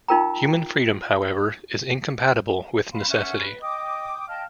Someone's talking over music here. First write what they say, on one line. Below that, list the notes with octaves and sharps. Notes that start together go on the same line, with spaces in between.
Human freedom, however, is incompatible with necessity.
D#4 F4 A#4 G5 A#5
F5 B5 C6
C#4 E5 F#5
B4
D#5 G5 D6 D#6
D#5 F5 G5 A5